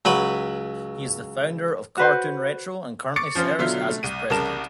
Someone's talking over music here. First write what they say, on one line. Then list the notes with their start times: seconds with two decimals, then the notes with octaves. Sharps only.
He is the founder of CartoonRetro and currently serves as its president.
0.05 C#2 F#3 B4 B5
1.97 F#4 B4 C5
3.16 C#6 D6 A6 C#7
3.35 F3 C#4 F4 C5
3.59 B2 D3 F#3 F4 E5 B6
3.90 A3
4.03 C2 D#7
4.30 C2 C#3 A#4 A5 E7